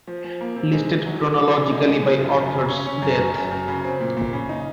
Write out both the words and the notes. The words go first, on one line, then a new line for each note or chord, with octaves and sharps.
Listed chronologically, by author's death.
F3
F3
A#3
C3
G#3
G#3
F#3
F#3
F#3
C#3
D#4
G#3
F3
F#1
F#2
C#3
C#4
C#4
F#2
F#1
F#2
F#2
C#3
C4
A#2
A#2
C#3
D#4